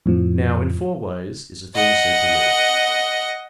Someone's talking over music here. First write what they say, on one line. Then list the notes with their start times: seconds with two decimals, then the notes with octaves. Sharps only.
Now, in four ways is a thing said to live.
0.06 F2 A2 F3
1.75 D#5 F#5